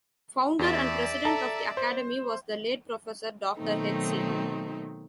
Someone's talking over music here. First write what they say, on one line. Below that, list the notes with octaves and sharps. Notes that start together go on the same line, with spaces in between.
Founder and president of the Academy was the late Professor Doctor hc.
E2 D5 E5
A4 A5 A#5
C5
B2 D#3 F#3 A3 C4 D#4